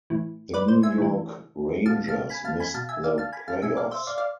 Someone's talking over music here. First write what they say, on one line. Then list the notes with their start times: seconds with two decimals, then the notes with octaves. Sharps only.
The New York Rangers missed the playoffs.
0.10 A2 E3
0.54 B4 D5
0.68 C5
0.83 E5 G#5
0.98 A2 E3
1.86 B2 F5 A5
2.08 F5 A5
2.30 G#5 B5
2.45 F5 A5
2.60 G#5 B5
2.74 B2 F5 A5
2.89 E5 G#5
3.04 D5 F5
3.18 F5 A5
3.33 G#5 B5
3.48 F5 A5
3.62 B2 E5 G#5
3.77 D5 F5
3.91 C5 E5
4.07 D5 F5
4.18 D5 F5